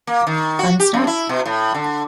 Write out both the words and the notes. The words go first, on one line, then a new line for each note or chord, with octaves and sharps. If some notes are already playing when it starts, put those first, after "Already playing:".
Fun stuff.
A#3
D#3
F#4
G4
F#2
E4
B2
A2
D3